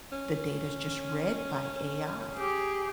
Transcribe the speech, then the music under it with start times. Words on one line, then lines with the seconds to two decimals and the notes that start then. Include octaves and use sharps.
The data is just read by AI.
0.12 C#4
2.33 G4 G#4